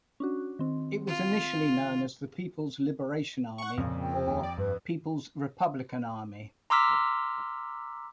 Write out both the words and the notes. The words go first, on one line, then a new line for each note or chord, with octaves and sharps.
It was initially known as the "People's Liberation Army" or "People's Republican Army".
C#4 D4 F#4
D#3 C4
F4
F#5 C#6
F2 A#2 C#3
G5
D#2
D5
G2 B4
A#5 C6 D6 E6 F6 B6